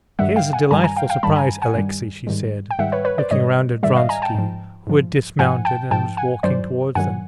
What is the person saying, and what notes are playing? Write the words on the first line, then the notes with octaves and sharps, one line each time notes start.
"Here's a delightful surprise, Alexey!" she said, looking round at Vronsky, who had dismounted, and was walking towards them.
G2 D#3 G3 E5 F#5
F5 G5
F#5 G#5
G2 D#3 G3 G#5 A#5
G#5 A#5
F5 G5
F5 G5
G2 D#3 G3 A5 B5
G#5 A#5
F#5 G#5
G2 D#3 G3
G#2 D#3 G3
G5
G#2 D#3 G3 E5 F#5
B4 C#5
B4 C#5
C5 D5
G#2 D#3 G3 C#5 D#5
G#2 D#3 G3 D5 E5
D#5 F5
G#5 A#5
G5 A5
G#2 F3
G#2 F3
G#2 F3 F#5 G#5
G5 A5
G#2 F3 G5 A5
F#5 G#5
G2 D#3 F#3 C5 D5
G2 D#3 F#3 F#5 G#5